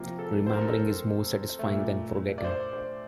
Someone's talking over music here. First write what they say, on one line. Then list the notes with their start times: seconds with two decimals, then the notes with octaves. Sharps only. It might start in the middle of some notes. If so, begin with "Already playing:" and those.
Remembering is more satisfying than forgetting.
Already playing: C3 F3 A#3 A#4
0.19 A4
0.47 C5
0.53 A#4
0.61 A4
0.67 A#4
1.59 A#2 A3
2.38 D5
2.44 C5
2.73 C5